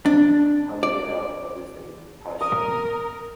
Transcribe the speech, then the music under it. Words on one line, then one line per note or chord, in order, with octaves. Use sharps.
Help me get out of this thing. Hush!
D4
D5
A#4 D#6